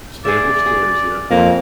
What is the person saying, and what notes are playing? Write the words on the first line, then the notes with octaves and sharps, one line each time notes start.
stable stairs here,"
G#4 D5 E5
G#4
F2 A#3